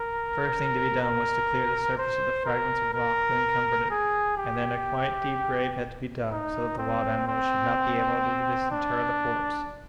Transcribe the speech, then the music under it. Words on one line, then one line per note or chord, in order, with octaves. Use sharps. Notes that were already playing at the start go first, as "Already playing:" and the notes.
The first thing to be done was to clear the surface of the fragments of rock that encumbered it, and then a quite deep grave had to be dug, so that the wild animals should not be able to disinter the corpse.
Already playing: A#4
A#4
C5
A#4
A#4
G#4
G4
D#4
C4
C4
D4